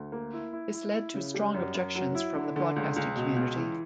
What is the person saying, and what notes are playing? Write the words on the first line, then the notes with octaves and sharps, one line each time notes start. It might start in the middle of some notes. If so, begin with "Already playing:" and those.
This led to strong objections from the broadcasting community.
Already playing: D2
A#3
E4
E4
E4
E4
C#3
G3
F#2
F#2
F#3
E4
D3
D3
C#2
C#2
B2
C#2
E3